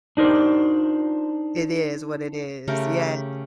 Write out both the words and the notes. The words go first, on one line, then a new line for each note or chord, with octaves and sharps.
Oh, it is what it is, yes.
D4 D#4 A#4 C5 D5
C#3 A3 G4 A#4